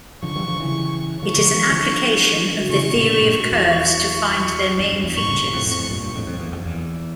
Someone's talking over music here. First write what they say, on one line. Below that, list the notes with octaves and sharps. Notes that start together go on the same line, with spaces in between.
It is an application of the theory of curves to find their main features.
D3 F3 C#6
E3 G3
D3 F3
C#3 E3
D3 F3 C#6
D3 F3
E3 G3
D3 F3
C#3 E3 C#6
E3
A#2 D3
G2 A#2
E2
C#6
E2 G2
F2
E2 G2
G2 A#2 C#6
A2 C#3
G2 A#2
F2 A2
F2 A2
G2 A#2
G2
F2 A2
F2
E2
F2
E2